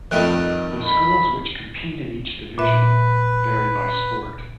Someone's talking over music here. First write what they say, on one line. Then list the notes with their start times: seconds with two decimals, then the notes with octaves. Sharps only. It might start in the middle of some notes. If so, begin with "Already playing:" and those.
The schools which compete in each division vary by sport.
0.11 F2 D#3 G3 A3 D#5 F#6
0.84 B5
2.58 A#2 B4 E5